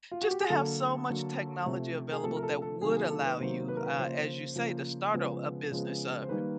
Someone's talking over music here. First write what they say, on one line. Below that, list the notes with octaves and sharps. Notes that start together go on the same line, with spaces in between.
just to have so much technology available that would allow you, uh, as you say, to start a a business, uh,
F4
F#4
G4
G#4
D3 F#3 A#3 A4
D3 F#3 A#3
C3 F3 A3
G#4
C3 F3 A3 A4
A#4
A4
A4
C3 D#3 F#3 A#3 G#4
G#4
A4
B4
C3 D#3 F#3 A#3 C5
B4
A#4
B4
C#3 F3 A#3 C5
C#3 F3 A#3
C#3 F3 G#3 B3
C#3 F3 G#3 B3
C5
D#3 G3 A#3 B4